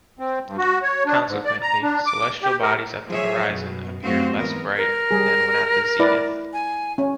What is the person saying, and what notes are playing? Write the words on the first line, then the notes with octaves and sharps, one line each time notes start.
Consequently, celestial bodies at the horizon appear less bright than when at the zenith.
C4
G2
F#4
C#5
D4
G#2
D5
A#5
D4
D6
G4
A#4
F3 F#3 G#4 C#5 E5
F#2 B2
F#2 F#3 A3 C4 F#4 F5
E2 G#2 B3 A#4
A#4
G3 G#4
E4 B4 D5
G#5
C#4